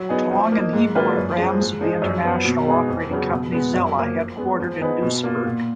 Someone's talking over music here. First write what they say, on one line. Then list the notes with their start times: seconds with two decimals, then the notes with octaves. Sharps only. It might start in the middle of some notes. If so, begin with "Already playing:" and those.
Ytong and Hebel are brands of the international operating company Xella headquartered in Duisburg.
Already playing: F#3
0.09 B3 D#4 G#4
0.31 F3
0.52 A#3 D#4
0.73 G#2
0.95 F#3 A#3 F4 B4
1.17 F#2
1.38 G#3
1.43 F3
1.60 G#2
1.81 F3 G#3 D#4
2.02 F#2
2.23 F3 B3
2.45 B2
2.66 G#3 B3 D#4 G#4
2.88 F2
3.10 C#3 F#3 B3
3.31 B2
3.52 G#3 B3
3.74 F#2
3.95 F3 A#3
4.16 F3
4.37 G#3 B3
4.60 F3
4.81 B3 D#4 G#4 B4
5.02 B2
5.23 A#3 F4
5.45 A#2